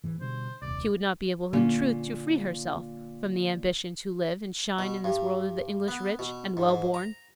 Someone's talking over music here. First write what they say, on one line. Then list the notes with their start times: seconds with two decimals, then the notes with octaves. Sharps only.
She would not be able in truth to free herself from the ambition to live and shine in this world of the English rich and well born.
0.04 G#2 E3
0.21 B2 D3 G3 C5
0.62 D#1 C2 D5
1.53 A#2 D3 C#4
4.79 B2
5.04 G2
5.88 B3
6.19 B2
6.57 G#2
6.69 G#2
6.94 A#5